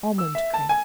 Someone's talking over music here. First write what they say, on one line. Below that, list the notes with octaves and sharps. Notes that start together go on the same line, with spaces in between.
Almond Cream.
E6
E5
A5
G#5